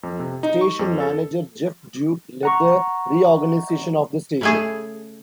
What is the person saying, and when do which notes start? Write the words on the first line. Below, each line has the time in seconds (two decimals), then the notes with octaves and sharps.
Station Manager Jeff Duke led a reorganization of the station.
0.03 F2
0.19 C3
0.43 D#4
0.61 C#6
0.79 F2
1.00 A4
2.43 F#5 A#5 C#6
4.41 C#3 A3 G#4